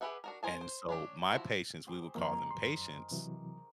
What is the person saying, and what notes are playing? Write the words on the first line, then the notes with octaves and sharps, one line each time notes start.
and so my patients, we would call them patients,
G4 G#4 B4 E5 F#5
D4 F#4 A#4
A#4 C5 G#5 A5
C5
C#4 D4 G4
F3 E4 F#4
G4 G#4 C5
F2 D#3 F3 A#3 A#4
F#2 C6
C3 E3 F#3